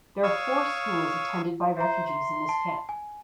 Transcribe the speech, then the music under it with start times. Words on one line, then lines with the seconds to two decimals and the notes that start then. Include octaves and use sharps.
There are four schools attended by refugees in this camp.
0.23 C#5 F5 C#6 D#6 E6
1.77 C5 E5 A#5
2.07 C6
2.49 A5
2.89 G#5